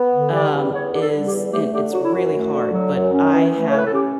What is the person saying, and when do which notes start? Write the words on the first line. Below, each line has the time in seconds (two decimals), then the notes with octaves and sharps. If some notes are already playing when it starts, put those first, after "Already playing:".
um, is and it's really hard. But I have
Already playing: B3
0.12 D3
0.32 G3 D5
0.52 E2
0.72 B3 C#5
0.92 D3 G4
0.99 A4
1.13 G3
1.25 G4
1.31 E2
1.52 A3 G4
1.72 D3 G4
1.92 F#3 F#4
2.02 E4
2.12 F#2 F#4
2.32 A3
2.52 D3
2.72 F#3
2.92 F#2
3.13 C#4
3.33 E3
3.52 A3
3.69 C#5
3.73 A2 B4
3.85 A4
3.93 C#4 G4